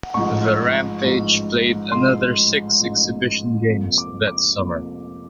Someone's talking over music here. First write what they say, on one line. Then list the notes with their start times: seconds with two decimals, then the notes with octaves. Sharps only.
The Rampage played another six exhibition games that summer.
0.14 A1 G#2 F3 C#6
1.04 A1 G#2 F3
1.92 A1 G#2 F3 C6
2.80 A1 G#2 F3
3.68 F2 C3 F3 A#3
3.98 D6
4.27 D6
4.58 F2 C3 F3 A#3